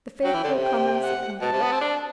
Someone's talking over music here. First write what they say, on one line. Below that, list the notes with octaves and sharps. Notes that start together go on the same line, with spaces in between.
"The faithful Commons of England."
F#3 G5
E3
D3
C3
G5
F#5
B2 A5
C3
B3
C4
D4